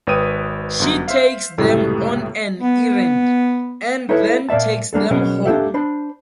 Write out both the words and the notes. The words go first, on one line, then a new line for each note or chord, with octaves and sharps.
She takes them on an errand, and then takes them home.
G#1 B4 C#5 G5 D#6 D#7
G1 F#2
C5 E5 F5
C#2 F#2 A2 C3 G3 A3
B3
D#4 E4 A4 B4 C#5
A#2 A#3 D5 E5 A5
G3 A#3 D4 A4
B2 F#3 C#4 G#4 A#4
A#3 D4 G4 A4 E5
D4 C5 B5